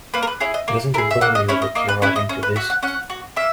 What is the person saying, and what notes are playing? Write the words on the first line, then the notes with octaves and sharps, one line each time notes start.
Doesn't it bother you that you're adding to this?
A#3 B4
A#4
B4
E4 G#4 C#5
D#5
A#3
E4 G#4 A#4
E5
A#3 F#5
D#5
C#4 E4 C#5
D#5
A#3 D#5
B4
C#4 E4 B4
D#5
C#4
B4
F#4 E5
F#5
C#4 F#5
F#4
A#3 E5